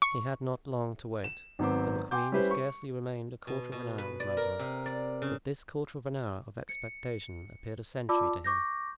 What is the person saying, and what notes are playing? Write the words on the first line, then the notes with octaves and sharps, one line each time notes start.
He had not long to wait, for the queen scarcely remained a quarter of an hour with Mazarin, but this quarter of an hour of expectation appeared a century to him.
C#6
E7
G#1 F#3 B3 C4 C5 D6
G5 G#5 C6 D6 G6
G3 C#4 E4 G4 B4 C5
C#6
B2
B2
B4
D5
A#4
C3
D5
C#3
C#7
F4 D5 A5 B5 D6 E6
C#6 D6 G6 A#6